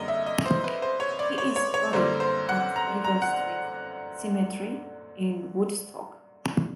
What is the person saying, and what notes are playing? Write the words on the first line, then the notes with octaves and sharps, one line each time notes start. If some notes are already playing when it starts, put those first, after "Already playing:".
He is buried at River Street Cemetery in Woodstock.
Already playing: F#2 D3 G3 A#3 D#5
E5
D#5
C5
B4
C5
C#5
D5
C#5
C#5
C#5
F#2 D3 G3 A#3 C5
C5
F#5
A#5
A#5
F#5